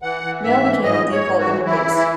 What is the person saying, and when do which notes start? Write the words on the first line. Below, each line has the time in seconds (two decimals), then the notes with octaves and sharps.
Mail became the default interface.
0.02 E3 F#5
0.23 E3
0.44 G#2 E5
0.64 E3
0.84 G#2 D#5
1.05 G#2
1.11 C#5
1.25 G#2
1.39 F#4
1.45 E3
1.65 E3 E4
1.85 E3
1.96 E4